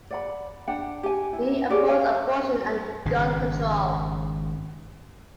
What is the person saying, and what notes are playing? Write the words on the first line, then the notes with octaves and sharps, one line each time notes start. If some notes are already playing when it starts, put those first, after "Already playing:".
He opposed abortion and gun control.
D5 F#5 B5
D4 F#5 G5
G4 G#5
E4
C#4 G4 G#4 D5
C5 C#5 F5 G#5
G#1 C#3